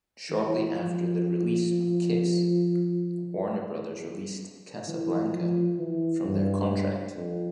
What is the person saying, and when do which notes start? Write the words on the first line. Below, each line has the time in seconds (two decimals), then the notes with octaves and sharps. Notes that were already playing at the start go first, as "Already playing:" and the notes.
Shortly after the release of "Kiss", Warner Brothers released Casablanca from their contract.
0.30 E3
0.76 F3
4.88 E3
5.34 F3
5.79 E3
6.25 G2
7.16 F2